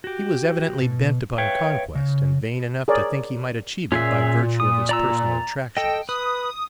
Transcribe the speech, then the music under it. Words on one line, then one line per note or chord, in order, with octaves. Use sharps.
He was evidently bent upon conquest, and vain enough to think he might achieve it by virtue of his personal attractions.
F#4 G4
B2
B4 C#5 E5 F5 G5
C#3
G#4 A#4 C#5 D5
A#2 C#4 G#4 E5
D#6
D5 A#5 E6
A4 D#5 G5
B4 D#6